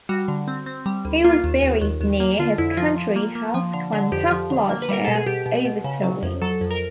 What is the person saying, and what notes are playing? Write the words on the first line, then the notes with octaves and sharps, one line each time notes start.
He was buried near his country house Quantock Lodge at Over Stowey.
G3 F#4
D3
C4
C4
G3
D2
A#3 F4
D#2
D#2
D#2
D#2
A#3
D3 F4
F2 E4
F3 F4
F3
A#3
A#3
F3
D3
D3
F2 G4
F3
D3
A#3
B4
G3 A#4
B2 A4
G#4
B2 G4
B2
B2
C#3
F#3
F2
F#3 A4
F2
A#4